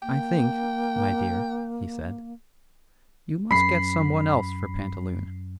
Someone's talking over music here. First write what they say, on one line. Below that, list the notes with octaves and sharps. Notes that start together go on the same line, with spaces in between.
"I think, my dear," he said, "you must get someone else for pantaloon."
A#3 G5
F#2 B5 B6 C7